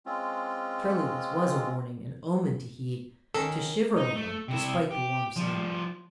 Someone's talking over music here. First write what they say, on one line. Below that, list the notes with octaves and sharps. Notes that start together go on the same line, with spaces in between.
Surely this was a warning, an omen to heed--to shiver over, despite the warm sun!
G#3 C4 C#4 F4
D#3 C#4 A4
D#4
A3
C3 E4
G4
F3 G3